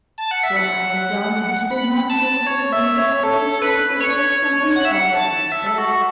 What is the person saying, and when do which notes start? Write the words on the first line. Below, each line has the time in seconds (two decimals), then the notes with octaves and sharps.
What I had done had been done so quickly that I seemed to have obeyed some impulse of despair.
0.18 A5
0.31 F#5
0.43 E5
0.56 F#5
1.70 B5
1.98 B5
2.10 A5
2.47 C#5
2.73 E5
2.98 C#5
3.24 A4
3.62 B4
4.00 C#5
4.76 F#5
4.85 E5
4.92 F#5
5.15 A5
5.52 E5
5.67 A4
5.78 F#4